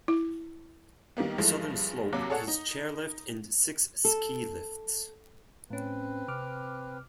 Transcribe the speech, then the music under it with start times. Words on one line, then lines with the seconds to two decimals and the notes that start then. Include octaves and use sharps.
The southern slope has chair lift and six ski lifts.
0.08 E4
1.17 D#3 G3 A#3 B3
1.38 G2 E3 F3 G#3 A3
2.13 D#2 C3 F#3 F#4 D6
2.30 G#4 A4 C#5 D5 F#5 A5
2.48 D#4
4.05 A4
5.70 A2 C4 C#4 B4
6.28 C3 D6 F6